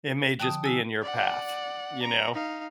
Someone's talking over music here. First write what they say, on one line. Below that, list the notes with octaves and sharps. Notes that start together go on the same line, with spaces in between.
it may just be in your path, you know?
D3 F3 G5 A5 D#6
E4 F#4 G#5 E6
D5 F#5
A#5
D#4 F5